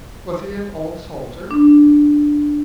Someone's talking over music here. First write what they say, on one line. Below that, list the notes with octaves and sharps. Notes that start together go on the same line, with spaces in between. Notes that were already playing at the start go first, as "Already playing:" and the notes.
"Was he an old soldier?"
D4